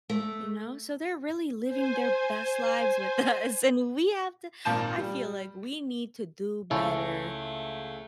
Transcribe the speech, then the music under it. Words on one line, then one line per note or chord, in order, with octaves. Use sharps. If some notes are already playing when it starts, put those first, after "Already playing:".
You know, so they're really living their best lives with us, and we have to I feel like we need to do better
A3
C5 G#5
G#1 A#2 A#3 A5 G6 E7
G3
C#2 A3 C#4 E4 A4